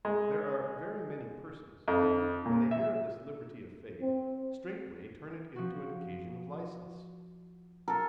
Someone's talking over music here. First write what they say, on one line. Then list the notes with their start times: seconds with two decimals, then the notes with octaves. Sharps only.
There are very many persons who, when they hear of this liberty of faith, straightway turn it into an occasion of licence.
0.05 G#3
1.88 F2
2.46 A#2
2.71 E5
4.01 C4
5.56 F3 F#4
7.88 A4 A#4